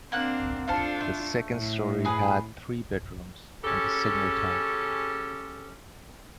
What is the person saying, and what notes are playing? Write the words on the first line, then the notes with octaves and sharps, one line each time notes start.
The second story had three bedrooms and the signal tower.
A#3 C4 D4 F#5 F#6
D4 F4 A4 C5 F5
A3
A2
G#4 B4
C#3 C#4 G4 A4